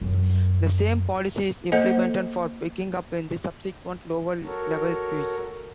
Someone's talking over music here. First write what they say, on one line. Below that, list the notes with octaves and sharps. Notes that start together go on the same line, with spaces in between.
The same policy is implemented for picking up in the subsequent lower level queues.
F#2
A#3 A4 C5 D#5 F#5
F#4 A4 A#4 C#5